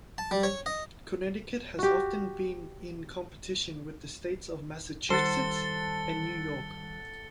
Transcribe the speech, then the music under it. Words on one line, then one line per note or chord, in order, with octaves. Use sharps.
Connecticut has often been in competition with the states of Massachusetts and New York.
A5
G3
C#5
D#5
F#4 G4
D#3 G3 A4 C5 F#5 A6 C#7 G7